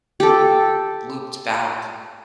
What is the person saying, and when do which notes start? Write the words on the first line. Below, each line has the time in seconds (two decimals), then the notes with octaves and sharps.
looped back,
0.20 G4 A4